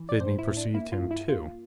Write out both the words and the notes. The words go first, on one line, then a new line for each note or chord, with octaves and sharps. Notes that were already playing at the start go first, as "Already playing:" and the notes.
Sydney perceived him too.
Already playing: E3
D5
A2 C5
E4
A2
D4
A#3 E4
F4
G2
E4
A#3 F4